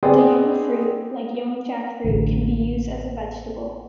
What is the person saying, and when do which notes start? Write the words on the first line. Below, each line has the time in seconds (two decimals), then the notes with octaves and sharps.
The young fruit, like young jackfruit, can be used as a vegetable.
0.03 B3 C4 G#4 D5 D#5 G5
2.04 A1 D2